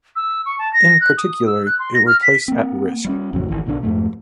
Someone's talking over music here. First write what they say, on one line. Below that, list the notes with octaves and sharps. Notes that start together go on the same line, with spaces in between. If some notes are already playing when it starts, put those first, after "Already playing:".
In particular, it would place at risk.
E6
C#6
A5
A#6
F#6
D#6
E6
F#6
C6
A#6
F6
B6
A#3 C4
G3 A#3 C#4
A1 F2 C#3 F#3
G#1 E2 D#3 E3
B1 B2 D3 D4
F2 G#2 A3